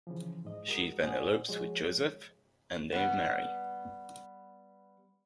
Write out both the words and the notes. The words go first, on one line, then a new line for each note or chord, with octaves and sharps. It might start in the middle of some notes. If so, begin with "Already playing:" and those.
She then elopes with Joseph and they marry.
C#3 E3 F3
G#2 D#5
G#3 F#4 A#4 D#6
A#2 C5 D5 F#5 G#5 D#6
F3 G#3 F#4 G#4 C#5
G3 B3